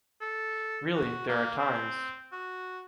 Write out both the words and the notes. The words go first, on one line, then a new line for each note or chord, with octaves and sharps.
Really, there are times...
A4
F#4
A#3
C4
F#4